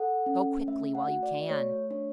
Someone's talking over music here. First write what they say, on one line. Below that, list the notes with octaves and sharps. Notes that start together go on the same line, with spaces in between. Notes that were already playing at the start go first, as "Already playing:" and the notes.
"Go quickly, while you can!"
Already playing: A4 F#5
C#4
A3 E5
F#5
F#4
D5
A3 C#5
D4 C#5